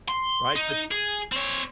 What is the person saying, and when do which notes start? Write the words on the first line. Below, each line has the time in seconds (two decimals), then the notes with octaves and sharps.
Right? But
0.09 C6
0.56 D#4
0.91 G#4
1.32 C4 C#5